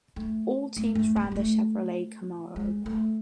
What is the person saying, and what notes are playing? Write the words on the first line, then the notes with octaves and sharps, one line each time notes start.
All teams ran the Chevrolet Camaro.
A3
A3
A3
B3
B3
A3
G#3
A3